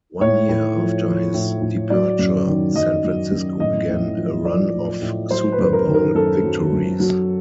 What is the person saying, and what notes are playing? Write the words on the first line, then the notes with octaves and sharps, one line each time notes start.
One year after his departure, San Francisco began a run of Super Bowl victories.
A2 C#5
A2
F3
F3
A2
A2
F#3 D5
F#2
D#3
F#2 D#5
F#3
F#2
A2 D#5
A2
F3
F3 D5
A2
A2
F#3 C5
B4
F#2
A#4
D#3
A#4
F#2 A4
F#3
F#2
F#3